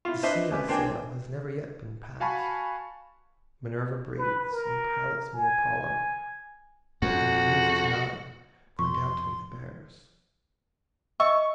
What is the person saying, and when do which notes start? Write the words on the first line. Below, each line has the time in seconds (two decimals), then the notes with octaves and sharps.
The sea I sail has never yet been passed; Minerva breathes, and pilots me Apollo, And Muses nine point out to me the Bears.
0.05 E4 F4
0.23 D4 B4 C5 D#5 E5
0.51 G#3 C#4 G4 B4
0.67 A#3 C4 D4 G5 G#5
2.20 F#4 F5 G#5 A5 B5 C#6
4.19 B4
4.52 A#4
5.35 G#5
7.02 F2 F#4
8.79 F2 C6 C#6
11.20 D#5 E5 C#6 E6